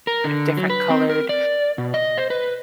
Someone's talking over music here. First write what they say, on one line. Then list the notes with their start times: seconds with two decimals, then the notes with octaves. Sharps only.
of different colored
0.07 A#4
0.24 D3
0.57 F#3
0.70 B4
0.90 C4
1.10 A#4
1.29 D5
1.78 B2
1.94 D#5
2.18 C5
2.30 B4